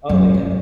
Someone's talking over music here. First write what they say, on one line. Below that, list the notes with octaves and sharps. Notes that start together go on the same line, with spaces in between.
Oh, yeah.
F#2
F#2